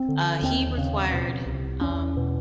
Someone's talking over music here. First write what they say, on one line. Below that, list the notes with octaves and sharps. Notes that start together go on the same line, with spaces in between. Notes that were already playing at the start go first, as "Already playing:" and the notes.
uh, he required, um,
Already playing: C4
D3
D#2 C4
C#3
B2
C2
E2 C#4
B2